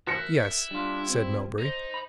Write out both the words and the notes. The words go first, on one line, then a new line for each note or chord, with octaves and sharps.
"Yes," said Melbury.
E4 A#4 F#6 A#6 C#7
G3 D4 F4
C4
D#4 C5
B5